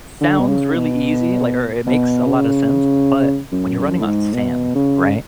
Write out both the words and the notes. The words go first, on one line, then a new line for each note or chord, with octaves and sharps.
sounds really easy, like, or it makes a lot of sense, but when you're running on sand, right,
D3
B2
C#3
B2
B2
C#3
F#2
F#2
A2
G#2
B2
C#3